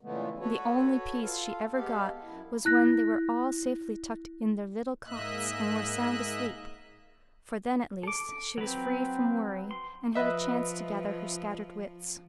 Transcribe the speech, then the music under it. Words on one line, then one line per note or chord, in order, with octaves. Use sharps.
The only peace she ever got was when they were all safely tucked in their little cots and were sound asleep; for then, at least, she was free from worry and had a chance to gather her scattered wits.
A#2 C#3 E3 G#3 A3 B3
F#4 A4 B4 C#5
F4 A4 F5
G#3 B3 G4 A4 F5
F#2 E4
E4 F#6 A#6
G#2 A#3 D#5 E5 F#6
A4 D6
F#3 C4 B4
C6
F3 B4 D#5 E5